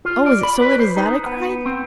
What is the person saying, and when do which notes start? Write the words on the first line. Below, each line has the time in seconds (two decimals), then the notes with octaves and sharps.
"Oh, is it so late as that?" I cried.
0.05 F4
0.26 D5
0.43 B5
0.61 B4
0.80 C5
0.97 D#4
1.26 B3
1.66 C4